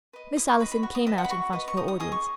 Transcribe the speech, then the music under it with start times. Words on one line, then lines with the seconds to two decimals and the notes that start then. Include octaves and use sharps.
Miss Allison came out in front of her audience.
0.13 B4 D#5
0.36 E4 D#6
0.48 C#6
0.59 B4 D#5 B5
0.72 B5
0.83 F#4 C#6
0.95 D#6
1.07 B4 D#5 E5
1.18 F#5
1.24 B5
1.30 F#4 C#6
1.53 B4 D#5
1.68 C#6
1.77 D#4 D#6
1.88 D#6
2.00 G#4 D#5 D#6
2.12 C#6